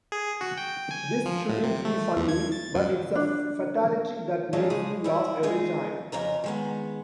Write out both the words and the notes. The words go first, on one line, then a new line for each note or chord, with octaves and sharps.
This shouldn't be funny, but it's a fatality that makes me laugh every time.
G#4
F#4
G5
G#5
F3
A2
C3
A3
E2
G#6
A6
F#2
D4
F3 F#3 G#3 C#4 D4
C#3 G#3 G#4
G3 E4
G#3 D#4 G#4
F2 C#3 A#4 A#5
D#3 G#3 B3